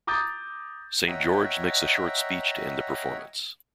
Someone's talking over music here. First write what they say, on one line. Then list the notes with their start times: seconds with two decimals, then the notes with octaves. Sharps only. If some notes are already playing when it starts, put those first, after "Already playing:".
Saint George makes a short speech to end the performance.
0.07 A#5 D6 D#6 G6 A6
1.07 C#5 D#5 E5 F#5 G5 A#5